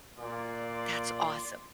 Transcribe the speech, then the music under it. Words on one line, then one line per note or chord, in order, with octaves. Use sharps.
That's awesome.
A#2 D5 C6